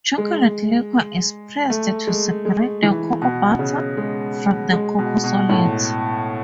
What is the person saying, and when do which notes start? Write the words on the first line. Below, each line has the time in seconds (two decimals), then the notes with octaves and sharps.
Chocolate liquor is pressed to separate the cocoa butter from the cocoa solids.
0.18 G#3
1.70 A3
2.07 G#3
2.45 G#3
2.83 E3
3.22 B2
3.59 C#3
3.97 G#3
4.72 G#3
4.98 B2
5.24 B2
5.49 A2